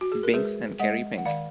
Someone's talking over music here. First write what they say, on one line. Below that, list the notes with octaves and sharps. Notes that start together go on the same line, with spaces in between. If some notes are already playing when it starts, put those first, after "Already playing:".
Binks and Kerry Pink.
F#4
G#4
A#4
G#3 G#4 B4
G#3 D#5 F#5
F#5
D#3 D5 F5